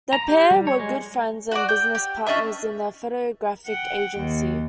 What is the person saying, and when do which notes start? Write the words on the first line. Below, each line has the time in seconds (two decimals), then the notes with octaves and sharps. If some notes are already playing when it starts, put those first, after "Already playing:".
The pair were good friends and business partners in a photographic agency.
0.13 A#5
0.28 G4
0.51 G3
0.67 C#5
0.79 G#3
1.51 F#4 B4 D5
1.69 G5
1.95 G4
2.27 C#4 D4 D#5 E5
3.67 F#5 G5
4.17 D#2